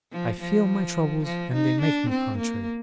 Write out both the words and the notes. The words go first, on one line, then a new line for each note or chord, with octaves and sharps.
I feel my troubles, and they make me contrary.
F3
F3
F3
D#4
D4
C4
A#3